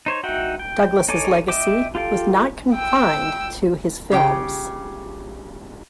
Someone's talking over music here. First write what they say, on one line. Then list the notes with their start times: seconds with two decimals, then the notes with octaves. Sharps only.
Douglas's legacy was not confined to his films.
0.06 D#4 C5 C#5
0.23 D#4 F#4 E5 F#5 G5
0.59 G5
1.09 D#4 A4 C#5 G#5 D6
1.48 D#5 E5 G5 D6
1.95 F4 G4 A4 F5 G5
2.73 G5 E6
4.12 C#3 G4 G5